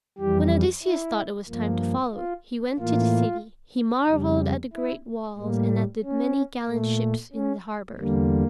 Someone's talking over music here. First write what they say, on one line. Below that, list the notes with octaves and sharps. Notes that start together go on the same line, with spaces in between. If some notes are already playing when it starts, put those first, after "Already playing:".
When Odysseus thought it was time to follow, he went to the city. He marveled at the great walls and at the many gallant ships in the harbors.
F2 E3 G3 G4
E4
G2 F3 A#3
F4
A2 E3 A#3 F4
F2 C#3 G3
E4
A2 G3 A#3
A#3
C#4
A#2 A3
C#4
E2 D3 G3 A#3